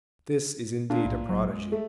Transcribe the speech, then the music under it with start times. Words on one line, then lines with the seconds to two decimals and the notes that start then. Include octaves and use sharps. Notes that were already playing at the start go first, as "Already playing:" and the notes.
This is indeed a prodigy.
0.90 A#2 D4
1.05 B1 A2
1.29 A#1 F#3
1.47 G#3
1.72 A3